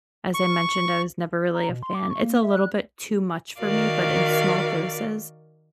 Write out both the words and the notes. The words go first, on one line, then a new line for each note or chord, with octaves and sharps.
as I mentioned, I was never really a fan. It's a little bit too much for me, but in small doses,
C#6
A#5
B2
C6
D6
C#6
A#3
E5
F#6
D#3 F#4 A#4 D5 F5